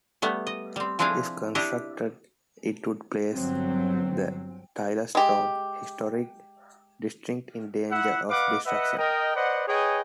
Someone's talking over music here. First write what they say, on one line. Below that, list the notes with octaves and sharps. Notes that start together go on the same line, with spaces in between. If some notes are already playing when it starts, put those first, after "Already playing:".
If constructed, it would place the Taylorstown Historic District in danger of destruction.
G3 A3 B3
D#5
G3 C4
F3 C4 D4 E4 G#4 F5
D4 E4 G4 D#5
G1 F#3 C4
G#3 G4
E4 F4 E5 F#5
B4 D#5 F5 F#5 D6
B4 D#5 E5 F#5
A#4 D#5 G5
B4 C5 D5 D#5 F#5
G#4 B4 C#5 D#5 G5 G#5